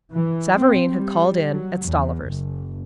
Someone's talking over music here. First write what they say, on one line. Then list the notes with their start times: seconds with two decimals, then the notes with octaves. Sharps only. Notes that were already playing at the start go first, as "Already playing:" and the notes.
Savareen had called in at Stollivers.
0.12 E3
0.57 C4
0.93 G3
1.52 F#3
1.86 E2
2.27 F#1